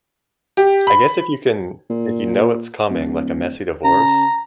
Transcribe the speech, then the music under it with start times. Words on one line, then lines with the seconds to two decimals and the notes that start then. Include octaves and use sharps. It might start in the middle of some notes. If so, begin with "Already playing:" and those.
I guess if you can if you know it's coming, like, a messy divorce,
0.57 G4
0.87 B5
1.90 A#2
2.90 D1
3.84 C#3 A#5